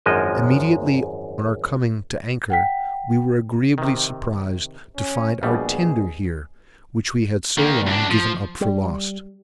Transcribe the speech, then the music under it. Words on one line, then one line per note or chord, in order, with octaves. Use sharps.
Immediately on our coming to anchor, we were agreeably surprised to find our tender here which we had so long given up for lost.
G#1 F#2 F3 G#3 D#5
F#5 G5 B6
C3 D#3
C#4
A#1 B2 G3 G#4
D#3 A#3
C#2 D4
F3
G3